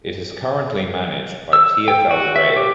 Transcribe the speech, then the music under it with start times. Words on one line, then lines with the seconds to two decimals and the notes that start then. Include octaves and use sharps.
It is currently managed by TfL Rail.
1.53 E6
1.88 G5
2.11 F#4
2.36 E5
2.56 G4